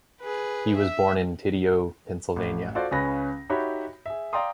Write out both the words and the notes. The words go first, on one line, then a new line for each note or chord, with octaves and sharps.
He was born in Tidioute, Pennsylvania.
G#4 B4
E5
A1
F4 F#4 A4 C5 D5
C#2 C#3 C#4 B4 A#6
D#4 F#4 G4 C#5 E5 B5
G#4 E5
D5 F5 G5 A#5 C6 D#6